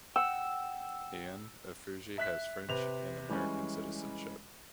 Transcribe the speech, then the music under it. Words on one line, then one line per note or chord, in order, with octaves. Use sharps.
Anne Ephrussi has French and American citizenship.
F#5 G5 E6
E5 F#6 B6
C3 B4 F7
E3 G3 G#3 C#4